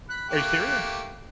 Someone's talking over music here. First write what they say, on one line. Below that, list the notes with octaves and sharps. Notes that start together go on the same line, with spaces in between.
Are you serious?
B5 F#6
A3 A#3 G4